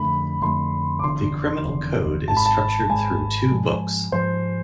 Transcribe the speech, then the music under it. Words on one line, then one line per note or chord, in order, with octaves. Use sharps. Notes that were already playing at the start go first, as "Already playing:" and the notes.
The Criminal Code is structured through two books.
Already playing: F2 D3 A3 B5
F2 D3 A3 C6
D6
F1 E2 D3 C6
F1 E2 D3
G#1 G#2 G#3 A5
B5
A5
G#1 G#2 G#3 G#5
G#2 F3 G#3
G#2 F3 G#3 C5